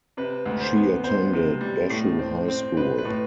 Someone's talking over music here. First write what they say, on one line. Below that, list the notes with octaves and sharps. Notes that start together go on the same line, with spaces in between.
She attended Bashu High School.
C3 B4
D2
C5
B3
B3 C5
C3
G3
A2
C4
C4
C4 B4
B4
A2